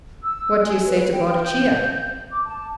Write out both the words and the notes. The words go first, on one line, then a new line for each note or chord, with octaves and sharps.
What do you say to Boadicea?
E6
G#4
B4
G5
G6
D6
A5